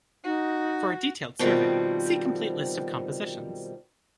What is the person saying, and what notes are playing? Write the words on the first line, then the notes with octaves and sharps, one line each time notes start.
For a detailed survey, see complete list of compositions.
D#4 F#4
B2 D#3 F3 G3 C4